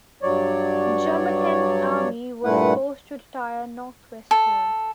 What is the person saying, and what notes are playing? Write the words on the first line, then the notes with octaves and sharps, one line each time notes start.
German Tenth Army was forced to retire northwestward.
G2 F#3 C#5 D5
G2 A#2 A3 E4 B4 F#5
A4